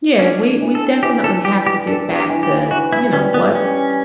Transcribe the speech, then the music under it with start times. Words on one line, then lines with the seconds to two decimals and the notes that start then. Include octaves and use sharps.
Yeah, we we definitely have to get back to, you know, what's
0.19 C#4 D4
0.61 E3
0.75 A4
1.03 E3 G4
1.24 A4
1.45 G3 G4
1.66 G4
1.87 D4 A4
2.16 G4
2.29 E3
2.43 G4
2.71 E3 F#4
2.93 E4
3.13 G3 C#4
3.34 B3
3.55 C#4 G4